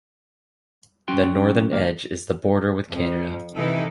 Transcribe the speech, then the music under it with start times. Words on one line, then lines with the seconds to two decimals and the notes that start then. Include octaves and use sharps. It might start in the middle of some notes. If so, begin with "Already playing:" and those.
The northern edge is the border with Canada.
1.08 F#3 C#4 F#4 G5 C6
1.71 C#2 D3 E3 A#3 F5
2.91 F2 F3
3.54 C3 D#3 E3 D#4 E4 A4